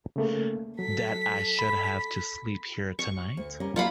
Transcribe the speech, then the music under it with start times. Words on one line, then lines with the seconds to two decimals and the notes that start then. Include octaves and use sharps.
That I should have to sleep here tonight!
0.16 C#3 A3 A#3
0.79 F#3 A4 B6
1.59 B5
2.99 C#6
3.37 D2
3.60 G3 C#4 A#4
3.76 F#3 A#3 F4 F5 F#5 B5